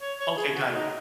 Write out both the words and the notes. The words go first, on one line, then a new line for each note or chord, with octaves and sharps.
Okay, got it.
C#5
C#5
G#4
F#4
D#4